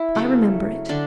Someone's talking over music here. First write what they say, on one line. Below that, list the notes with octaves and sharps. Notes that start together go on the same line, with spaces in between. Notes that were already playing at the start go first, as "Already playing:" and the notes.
"I remember it."
Already playing: E4
C#3 F#3 A3
D3 D4